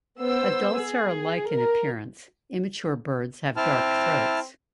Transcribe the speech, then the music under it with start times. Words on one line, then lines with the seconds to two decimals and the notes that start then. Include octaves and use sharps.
Adults are alike in appearance; immature birds have dark throats.
0.19 B3 C5 E6
0.79 G#4
1.51 A#4
3.57 C4 E4 A5 F6